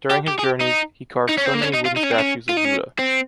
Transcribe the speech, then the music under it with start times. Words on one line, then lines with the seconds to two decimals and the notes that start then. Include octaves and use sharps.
During his journeys, he carved so many wooden statues of Buddha.
0.11 G4
0.28 G4
0.39 G#4
0.44 G4
0.61 D#4
1.29 D#4
1.38 C#4
1.46 C4
1.55 A#3
1.63 C#4
1.74 D#4
1.86 F4
1.97 D#4
2.04 C#4
2.12 C4
2.19 C#4
2.49 F4
2.57 D#4
2.65 C#4
2.99 C4